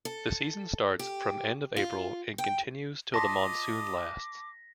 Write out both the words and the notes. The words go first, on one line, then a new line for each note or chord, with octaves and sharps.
The season starts from end of April, and continues till the monsoon lasts.
A4
G4
F4
G5
F4 D#5 A5 C6 D6 A#6 B6